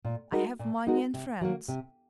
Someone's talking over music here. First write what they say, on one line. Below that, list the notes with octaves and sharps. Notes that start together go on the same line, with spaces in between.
I have money and friends.
A#2
G#3 D#4 F#4 A#4
A#2
G#3 D#4 F#4 A#4
C3
F#3 A#3
C3